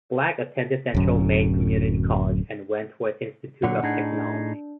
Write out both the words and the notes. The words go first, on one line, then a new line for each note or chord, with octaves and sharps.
Black attended Central Maine Community College and Wentworth Institute of Technology.
D1 F#2
A#2 D3 F#3 F#5
A2 D4 D#4 G#4